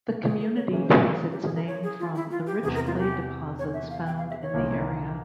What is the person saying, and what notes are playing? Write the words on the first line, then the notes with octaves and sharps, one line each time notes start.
The community takes its name from the rich clay deposits found in the area.
A#4
G#4
A#4
C#5
C#3 E3 A#3 C#4 E5
C5
A#4
G4
F4
G4
G#4
A#4
C#5
G#4
F4
E4
F4
G4
E2 C3 E3 G#4
A#4
F4
G4
C#5
E5
F5
G5
F5
E5
C#5
C2 A#2 F3 A#3 E4